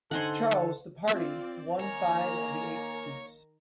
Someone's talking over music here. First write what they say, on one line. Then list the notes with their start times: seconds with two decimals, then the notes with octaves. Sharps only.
Charles, the party won five of the eight seats.
0.11 D3 D#4 A4 C5 F#5 G#5 C6
1.12 C4 F4 D5
1.80 D#3 A#3 C#5 G#5 A#5